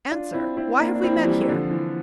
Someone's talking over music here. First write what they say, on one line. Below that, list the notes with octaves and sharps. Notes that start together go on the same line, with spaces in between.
Answer: why have we met here?
D4 F4
C4 E4
C4 E4
A#3 D4
D4
C4 E4
F3
E3 G3
E3
D3 F3
E3